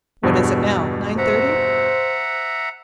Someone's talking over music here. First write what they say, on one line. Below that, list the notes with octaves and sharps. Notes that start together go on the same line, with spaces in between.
What is it now--nine thirty?
E2 G2 B2
C5 E5 F#5 A#5